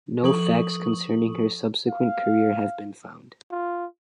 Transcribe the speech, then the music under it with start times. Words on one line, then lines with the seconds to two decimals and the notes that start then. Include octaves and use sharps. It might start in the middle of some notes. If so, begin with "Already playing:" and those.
No facts concerning her subsequent career have been found.
0.23 F3 A4 C#6 D#6 F#7
1.88 F5
3.51 F4